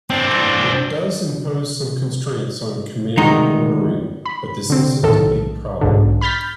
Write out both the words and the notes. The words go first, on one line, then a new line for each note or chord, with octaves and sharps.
It does impose some constraints on command ordering, but this isn't a big problem.
C4 D4
D2 D#3 G#3 D#4
B5
D3 C4
B1 A2 D#3 A4
B1 G#2 D3
B5 F6 G6 A6 B6